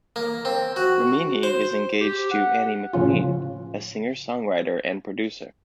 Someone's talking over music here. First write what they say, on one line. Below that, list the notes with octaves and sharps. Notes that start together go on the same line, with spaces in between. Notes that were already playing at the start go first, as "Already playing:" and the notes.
Ramini is engaged to Annie McQueen, a singer-songwriter and producer.
A#3
C4
F#4
C5
G4
F#5
A2 C#3 F3 C#4 F4